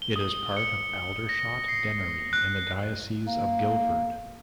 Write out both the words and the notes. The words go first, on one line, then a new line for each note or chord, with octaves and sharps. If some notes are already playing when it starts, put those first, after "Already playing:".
It is part of Aldershot Deanery in the Diocese of Guildford.
G7
D#6
C#7
A#6
C7
F#6
A#3